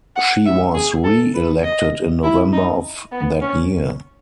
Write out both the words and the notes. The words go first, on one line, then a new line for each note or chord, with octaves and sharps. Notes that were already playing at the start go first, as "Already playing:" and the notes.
She was re-elected in November of that year.
F#5
E5
G#4
A4
B4
D#5
E4
D#4
B3
C#4